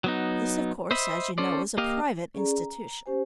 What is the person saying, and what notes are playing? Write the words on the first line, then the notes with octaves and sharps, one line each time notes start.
This, of course, as you know, is a private institution.
F#3 B3 D#4
C5 D#5 E5 B5
C#4 A4 C5 D5
A#3 G4 D#5 F5
C#4 G#4 A4 D5 A#5
A#5
C#4 G4 C5 G#5